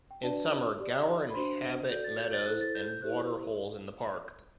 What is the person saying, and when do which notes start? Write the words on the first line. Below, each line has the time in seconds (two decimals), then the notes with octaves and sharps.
In summer gaur inhabit meadows and water holes in the park.
0.11 G5
0.22 D4 F#4 B4 D5 A5
0.79 G4 D5
1.30 B5
1.34 D4 F#4 C5 C6
1.90 F#4 A4 D5 G6
2.04 A6
2.18 G6
2.33 A6
2.46 E4 A4 C5 F#6
2.61 A6
2.75 G6
2.88 G6
3.02 E4 G4 C5 F#6